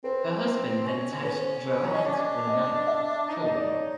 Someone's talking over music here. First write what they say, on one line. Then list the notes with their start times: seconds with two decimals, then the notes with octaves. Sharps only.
Her husband then attacked Drouet with a knife, killing him.
0.04 C4 B4
0.85 C#4
1.25 C#4 B4
1.39 C5
1.52 C#5
1.66 C5
1.80 C#5
1.92 D#5
2.06 D4 D5
2.14 C#4
2.20 D4
2.48 D#5
2.87 E5
3.29 D#4
3.37 D4
3.42 D#4 D#5
3.55 D5
3.69 C#5